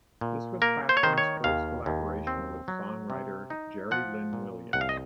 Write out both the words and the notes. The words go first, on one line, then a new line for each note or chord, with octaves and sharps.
This was Clapton's first collaboration with songwriter Jerry Lynn Williams.
A#2
A#3 A#4
C5
C#5
D#3 C5
C#5
D#2 F5
D#2
C4
F#3
C3
D#4
F3 F#5
A#2
C2 F#5
F5
D#5